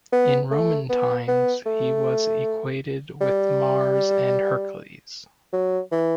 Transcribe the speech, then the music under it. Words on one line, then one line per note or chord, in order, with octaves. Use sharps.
In Roman times he was equated with Mars and Hercules.
B3
A3
B3
B3
A3
G3
F#3
E3